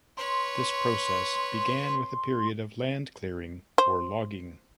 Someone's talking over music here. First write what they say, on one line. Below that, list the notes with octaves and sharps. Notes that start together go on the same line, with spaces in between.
This process began with a period of land clearing, or logging.
B4 C#5 C6
C5